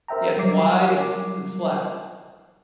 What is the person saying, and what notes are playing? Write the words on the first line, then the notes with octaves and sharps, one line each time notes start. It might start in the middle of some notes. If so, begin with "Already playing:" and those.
Yeah, it's wide and fl and flat.
A#4 C5 E5 G5 A#5
F#3 G3 A#4 D6 C7